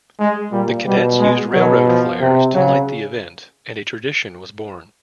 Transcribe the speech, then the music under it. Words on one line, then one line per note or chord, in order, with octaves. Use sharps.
The cadets used railroad flares to light the event, and a tradition was born.
G#3
A#2 G3
B2 G3
G#3
B2 F#3
F3
C3
C#3 F#3